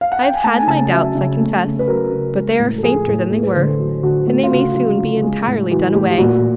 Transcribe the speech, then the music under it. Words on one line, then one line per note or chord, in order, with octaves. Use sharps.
I have had my doubts, I confess; but they are fainter than they were, and they may soon be entirely done away.
F5
F#5
G5
G#5
A3 A5
G#5
C#3 A5
F#3 E5
C#3
A3
C#3
B4
F#3 A#4
C#3
G#3
A2
A4
F3 G#4
A2
A3 G#4
B4
D3 C5
A4
F#3
D3 F#4
A3 F#4
F4
C#3 F#4
F#3 F4
C#3
G#3
A2
E3 F#4
A2 G4
A#2 F#4